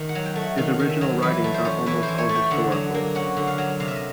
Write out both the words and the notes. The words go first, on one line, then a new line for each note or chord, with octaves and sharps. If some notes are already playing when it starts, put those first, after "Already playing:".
His original writings are almost all historical.
Already playing: D#3
F#5
F#3
G5
A3
F#5
D#3 F5
D#3
E5
F#3
E3 B4
A3
C5
C#4
E3 B4
C5
E3
C#5
A3
G5
D3 F#5
F#3
A#3
C#4 F#5
D3
F5
F#3
C3 F5
E5
D#5